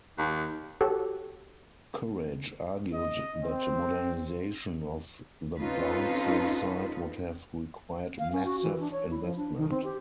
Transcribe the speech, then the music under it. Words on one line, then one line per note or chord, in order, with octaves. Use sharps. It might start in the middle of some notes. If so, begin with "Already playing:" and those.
Courage argued that modernization of the Barnsley site would have required "massive" investment.
D#2
F#4 G4 A4 C#5 F#5
D#5
C4
C4 C#4 D#4 F4 A4 B4
F5
C#4
F#4
E3
D4
C#5
E4
F3
D4
D#3
C4
G4